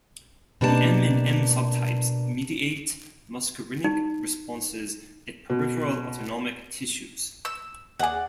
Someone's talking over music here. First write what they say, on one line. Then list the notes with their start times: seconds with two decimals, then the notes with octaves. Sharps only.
The M and M subtypes mediate muscarinic responses at peripheral autonomic tissues.
0.61 B2 A#3 D4 G4 A4 A5
3.84 D#4
5.50 B2
7.45 E6
7.99 D#2 G#4 D5 F#5